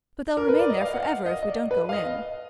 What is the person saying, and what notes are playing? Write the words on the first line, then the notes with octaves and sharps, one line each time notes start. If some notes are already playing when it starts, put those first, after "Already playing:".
But they'll remain there for ever if we don't go in.
A#4
B4
D5
D#5
F5
F#5
F5
D#5
D#5
D5
B4
F5
D#5